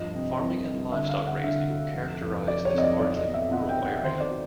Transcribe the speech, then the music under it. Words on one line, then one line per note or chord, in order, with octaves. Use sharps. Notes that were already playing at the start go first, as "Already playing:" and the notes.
Farming and livestock-raising characterize this largely rural area.
Already playing: G2 F3 D#5
C3
C2
C2
D3 E5
F5
D2
F#5
D3 E5
F#3
F1
F1
F#3 D5
C#5
F2 D#5
D5
B1 D5
D#5
B2
E5
B2 F#5
G5
B2
F#5
D#3 C5
D5
F#3